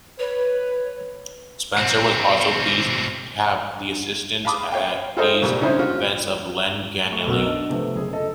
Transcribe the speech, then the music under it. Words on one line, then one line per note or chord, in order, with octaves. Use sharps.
Spencer was also pleased to have the assistance at these events of Len Ganley.
B4 C#5
B2 C4
F5 A5 B5 D6 D#6
C#5 F5 G5
F4 G#4 A4 C5 D#5 D#6
C2 A#2 G3
D3 C#4 D#4 E4 C5
C#4 F4 F#4
A3 C#6
B1 B2 A#4 F#5 E6
D4 D#5
C3 F3 A3 B3
F#1 G#4
A4 D#5